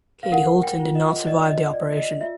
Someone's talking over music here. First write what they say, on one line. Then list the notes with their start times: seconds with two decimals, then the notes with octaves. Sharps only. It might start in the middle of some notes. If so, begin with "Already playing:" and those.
Katie Holton did not survive the operation.
0.23 F5
0.32 A#4 F#5
0.63 G5
0.80 F4
0.95 D#5
1.27 D5 D#5
1.51 D#5
1.73 D5
1.97 D#5
2.21 F4 E5